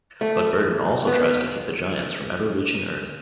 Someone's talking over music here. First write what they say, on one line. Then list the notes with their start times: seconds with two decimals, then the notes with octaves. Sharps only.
But Burton also tries to keep the Giants from ever reaching Earth.
0.21 A3
1.07 B3